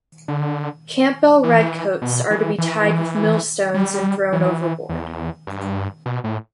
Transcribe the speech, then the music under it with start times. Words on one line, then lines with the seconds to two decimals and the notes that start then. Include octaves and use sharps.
Campbell redcoats are to be tied with millstones and thrown overboard.
0.28 D3
1.44 E3
2.02 B2
2.31 E3
2.58 E3
3.74 G3
4.33 E3
4.89 E2
5.47 G2
6.06 B2
6.24 A2